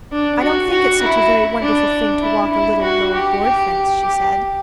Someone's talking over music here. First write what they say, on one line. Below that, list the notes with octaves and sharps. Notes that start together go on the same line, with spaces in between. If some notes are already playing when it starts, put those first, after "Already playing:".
"I don't think it's such a very wonderful thing to walk a little, low, board fence," she said.
D4
F#4
F#4
E4
D4
E4
E4
F#4
G4
G4
G4